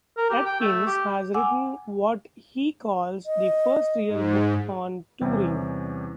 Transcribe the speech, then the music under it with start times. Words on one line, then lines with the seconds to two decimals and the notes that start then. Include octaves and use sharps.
Atkins has written what he calls, "the first real book on touring".
0.18 A#4
0.30 G4
0.46 G5
0.60 A3
0.87 G4
1.34 F#5 G#5 D6 E6
3.26 D#5
4.08 G#2
5.21 E2 C3 G3 C#4 G5